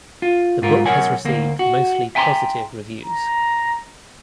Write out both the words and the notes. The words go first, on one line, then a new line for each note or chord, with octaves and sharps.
The book has received mostly positive reviews.
F4
G#2 F4 A#4
B1 A#4 C#5 F#5 G#5
D2 A#3
F#4
E5 G5 G#5 A#5 C6
A#5